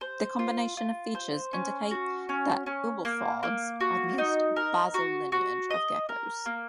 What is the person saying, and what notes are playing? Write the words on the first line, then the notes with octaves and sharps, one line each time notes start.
Their combination of features indicate that Eublepharids are the most basal lineage of gekkos.
C5
F4
F4
C5
C#4
F#4
C#4
C#4
A#3
A#3
F#4
D#4
A#4
F#4
F#4
D#5
A#4
A#3